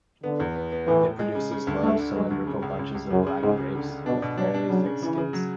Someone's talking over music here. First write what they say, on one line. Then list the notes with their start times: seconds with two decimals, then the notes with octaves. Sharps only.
It produces large cylindrical bunches of black grapes with fairly thick skins.
0.24 D3 B3
0.40 E2
0.56 B3
0.72 B3
0.87 A2 E3
1.03 A2
1.19 G#3
1.35 C#3
1.51 C#3
1.67 D2
1.83 D3 A3
1.99 D3
2.15 F#3 G#3
2.30 D2
2.47 C#3
2.62 C#2
2.79 C#2
2.95 C#2
3.10 F#2 C#3
3.26 C#3
3.43 C#2 G#2
3.58 C#3
3.75 D3
3.90 D3
4.06 B2 D4
4.22 B2
4.38 F#3 D4
4.54 D4
4.70 C#3 F#3
4.86 C#3
5.02 C#3 E3
5.18 C#3
5.33 F#3